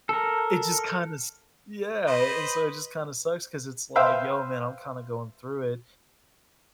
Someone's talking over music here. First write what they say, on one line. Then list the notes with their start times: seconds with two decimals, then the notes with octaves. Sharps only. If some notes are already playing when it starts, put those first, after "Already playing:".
it just kinda s yeah, and so it just kinda sucks 'cause it's like, "Yo, man, I'm kinda going through it,"
0.09 A4 A#4
2.07 B4 C5 D#5 B5
3.96 B4 C5 E5 F5 G5